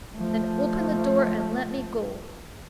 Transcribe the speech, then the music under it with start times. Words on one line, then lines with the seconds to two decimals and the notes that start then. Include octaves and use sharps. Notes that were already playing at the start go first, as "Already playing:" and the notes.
"Then open the door and let me go."
0.17 F3 A3